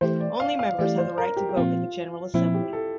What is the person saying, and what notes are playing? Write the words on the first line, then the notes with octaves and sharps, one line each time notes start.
Only Members have the right to vote at the General Assembly.
E3 A3 E4 G4 C5
D5
F5
F5
E3 A3 E4 G4 D5
C5
A#4
G4
G4
A#2 F3 C4 F4
A#2 F3 C4 E4
G4
A4